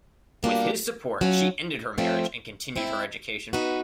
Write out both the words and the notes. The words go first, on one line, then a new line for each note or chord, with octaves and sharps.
With his support she ended her marriage and continued her education.
B2 G3 A#3 D4 F4
F#3 A3 C#4 F4
F3 A3 C4 F4
G#3 C4 E4
B3 D#4 F#4 B4